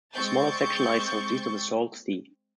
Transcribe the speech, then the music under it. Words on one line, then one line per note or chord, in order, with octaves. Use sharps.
A smaller section lies southeast of Sault Ste.
G#3 C4 C#6 G6 A6